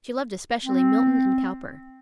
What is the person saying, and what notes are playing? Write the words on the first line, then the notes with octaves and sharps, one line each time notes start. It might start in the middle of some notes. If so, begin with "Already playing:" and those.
She loved especially Milton and Cowper.
C4